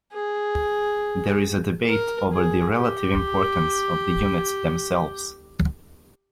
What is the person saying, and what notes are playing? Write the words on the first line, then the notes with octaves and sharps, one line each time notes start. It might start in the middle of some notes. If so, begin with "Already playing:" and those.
There is debate over the relative importance of the units themselves.
G#4
A#4
G#4
G4